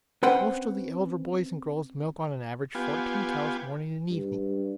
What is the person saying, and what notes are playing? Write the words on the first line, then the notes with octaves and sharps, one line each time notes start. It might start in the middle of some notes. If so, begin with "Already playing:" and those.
Most of the elder boys and girls milk on an average fourteen cows morning and evening.
C4 C#4 B4 C5 F#5 G5
B3 F4 G4 G#5
G2